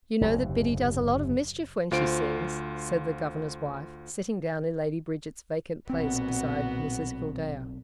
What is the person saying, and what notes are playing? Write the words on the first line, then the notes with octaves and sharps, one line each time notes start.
'YOU know that Biddy does a lot of mischief when she sings,' said the Governor's wife, sitting down in Lady Bridget's vacant place beside Mrs Gildea.
F#1 D#2 C3
D2 F4 C5 D7
B1 A#2 B3 C4 F#4